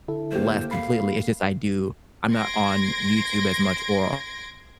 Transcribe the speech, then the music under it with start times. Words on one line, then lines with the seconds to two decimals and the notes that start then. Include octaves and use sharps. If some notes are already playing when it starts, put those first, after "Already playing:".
left completely, it's just I do I'm not on YouTube as much or o
0.08 D3 E4 A4
0.32 A3 A#3 G4 C5
0.71 F5 B5
2.32 C6 G#6 A#6 D7